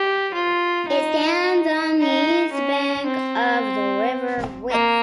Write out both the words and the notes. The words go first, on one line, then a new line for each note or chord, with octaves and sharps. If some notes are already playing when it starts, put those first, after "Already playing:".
It stands on the east bank of the River Wiske.
Already playing: G4
F4
D#4
D#4
D#4
C#4
C4
A#3